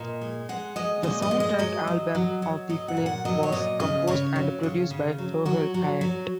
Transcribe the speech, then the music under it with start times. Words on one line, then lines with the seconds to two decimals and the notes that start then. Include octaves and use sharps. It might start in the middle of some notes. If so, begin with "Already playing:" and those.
The soundtrack album of the film was composed and produced by Rohail Hyatt.
Already playing: A#2 D#5
0.21 G#3
0.49 G#3 F#5
0.76 G#3 D#5
1.03 A#2 D#5
1.22 D#5
1.31 G#3
1.40 D#5
1.58 F#3 D#5
1.87 F#3
2.15 F#3
2.42 F#3
2.69 F#3 D#5
2.88 F#5
2.97 A#2
3.06 F#5
3.25 F#3 D#5
3.43 C#5
3.52 A#2 D#5
3.80 C#3 D#5
4.07 C#3 C#5
4.36 F#3
4.63 C#3
4.90 C#3
5.18 F#3
5.45 F#3 F#4
5.74 F#3
6.01 F#3